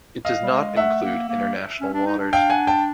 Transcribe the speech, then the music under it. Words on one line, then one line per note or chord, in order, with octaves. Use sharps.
It does not include international waters.
D#5 F5
G3
G#3
A3 E5 F#5
A#3
A#3
C#4
D4
D#4
D4
F5 G5
F#5 G#5
G5 A5